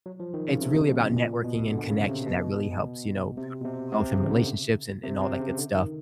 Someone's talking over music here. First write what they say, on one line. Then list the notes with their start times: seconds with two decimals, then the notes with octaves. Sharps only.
it's really about networking and connection that really helps, you know, build wealth and relationships and and all that good stuff.
0.06 F#3
0.20 F3
0.34 D#3
0.48 C#3
0.61 C3
0.89 B2
1.16 A#2
1.44 B2
1.72 D3
1.90 C#3
2.08 C3
2.27 B2
3.37 C3
3.61 B2
3.65 C3
3.92 C3
4.11 C#3
4.29 D3
5.03 C3
5.21 C3
5.40 C#3
5.58 D3
5.76 D#3